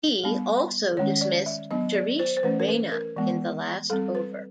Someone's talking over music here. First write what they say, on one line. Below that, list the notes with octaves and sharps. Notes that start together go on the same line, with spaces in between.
He also dismissed Suresh Raina in the last over.
G3 B3 D4
D#3 G#3 C#4 C#5
D5
E5
F#3 B3 D4 D#5
D5
C5
C5
E3 A3 C#4 B4
A#4
B4
A#4
E3 G#3 B3
G3 C4 A4
B4